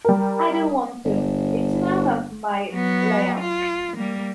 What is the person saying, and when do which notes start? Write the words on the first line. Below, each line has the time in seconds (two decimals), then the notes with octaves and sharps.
I don't want to. It's none of my lay-out.
0.05 G3 A#4
1.05 G1
2.72 F#3 B3
3.40 F4
3.97 G3 A#3